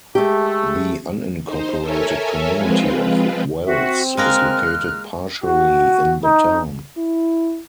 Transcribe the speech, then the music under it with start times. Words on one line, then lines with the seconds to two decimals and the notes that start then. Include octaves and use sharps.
The unincorporated community of Wells is located partially in the town.
0.15 G#3 A3 G4
1.43 D#4 C5
1.79 A4 A#4 C#5 E5 G#5
2.54 F3 G#3 C4 F4 B4
3.65 C4 F#4 E5
4.17 G#3 A#3 A#4 F6 F#6
5.45 F#4
6.25 D#4
6.98 E4